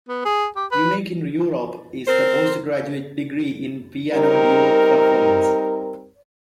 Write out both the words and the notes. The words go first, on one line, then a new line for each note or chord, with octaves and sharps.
Unique in Europe is the postgraduate degree in piano duo performance.
B3
G#4
G4
B4
C4 A#4 C5
G3 C4 D#4 A#4